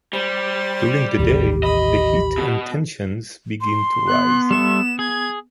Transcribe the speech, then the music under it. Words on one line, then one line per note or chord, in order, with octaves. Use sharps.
During the day, the heat and tensions begin to rise.
G3 C5
A1 D#2 G4
D#5 B5
B2
C6
B3 F#6
G3 A4 E5 E7
G#4 G#6